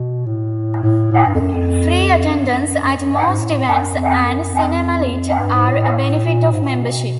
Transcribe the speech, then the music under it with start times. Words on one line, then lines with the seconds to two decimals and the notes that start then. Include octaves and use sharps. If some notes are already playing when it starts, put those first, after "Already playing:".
Free attendance at most events and CinemaLit are a benefit of membership.
Already playing: B2
0.26 A2
0.83 A2
1.11 A2
1.26 G2
1.34 F2
1.40 F#2
1.54 F2
2.25 F#2
2.39 G2
2.54 F#2
2.82 F#2
2.97 F#2
3.12 G2
3.25 G#2
3.39 A2
3.68 F#2
3.97 F2
4.26 F#2
4.54 F2
5.10 F2
5.38 G2
5.54 G#2
5.68 A2
6.25 A#2
6.52 G#2
6.63 A2
6.72 A#2
6.81 B2